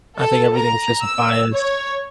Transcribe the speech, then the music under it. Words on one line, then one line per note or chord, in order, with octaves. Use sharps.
I think everything's just a bias.
A4
A#5
E6
C#5